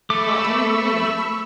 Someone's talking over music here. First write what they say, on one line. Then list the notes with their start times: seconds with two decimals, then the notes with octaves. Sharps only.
"What do you mean?"
0.10 A3 B5 C#6 D6 E6